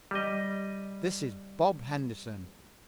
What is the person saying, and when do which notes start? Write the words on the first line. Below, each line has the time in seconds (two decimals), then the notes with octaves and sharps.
This is Bob Henderson.
0.11 G3 D#5